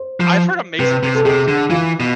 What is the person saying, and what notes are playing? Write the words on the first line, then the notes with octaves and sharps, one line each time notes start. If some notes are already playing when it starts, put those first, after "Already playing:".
I I've heard amazing things about Turkey.
Already playing: C5
F3
C3 B4
C3
A4
C3 G#4
D3
E3 F4
B2